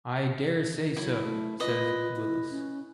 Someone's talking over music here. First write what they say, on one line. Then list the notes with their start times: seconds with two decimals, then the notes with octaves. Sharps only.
"I daresay so," said Willis.
0.97 F#3 E4
1.22 A3
1.60 F4 B4 D#5
2.16 E4
2.50 C#4